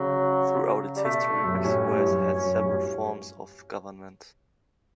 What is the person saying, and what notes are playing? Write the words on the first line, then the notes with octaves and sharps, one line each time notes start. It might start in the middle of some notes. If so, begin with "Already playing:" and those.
Throughout its history, Mexico has had several forms of government.
Already playing: C#3 F#3
G3
B2 A3
F#2
G2
A2 C#4
G2
F#2
F#2
A2
G2